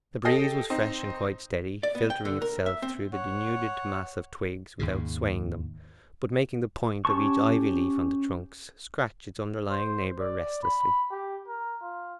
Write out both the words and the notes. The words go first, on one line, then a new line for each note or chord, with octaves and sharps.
The breeze was fresh and quite steady, filtering itself through the denuded mass of twigs without swaying them, but making the point of each ivy-leaf on the trunks scratch its underlying neighbor restlessly.
G4 A4 D#5 A#6 C7
C4 D#4
D5
B3
G5
D3
A#4
E5
C4
C#5 F#5
D#2 G#2 C#3
C#4 G4 A5 C#6
C5
D5
B5
G4
A#4
F4